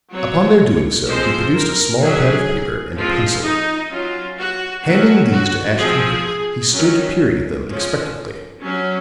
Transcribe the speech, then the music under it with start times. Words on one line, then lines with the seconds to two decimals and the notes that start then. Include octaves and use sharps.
Upon their doing so he produced a small pad of paper and a pencil; handing these to Ashton-Kirk he stood peering at them expectantly.
0.12 F#3 C4 C#5
1.07 F3 G#3 C4 C5
1.54 A#4
2.01 F#3 C#4 G#4
2.95 F3 G#3 C4 F4
3.43 D#4
3.90 F#3 C#4 F4
4.37 F#4
4.84 F#3 A#3 C#4 F#4
5.31 F#4
5.78 F3 C4 G#4
6.73 D#3 F#3 C#4
7.67 F3 G#3 C#4
8.61 F#3 C#4